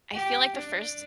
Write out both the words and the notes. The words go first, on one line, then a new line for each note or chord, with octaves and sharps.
I feel like the first
G4
D4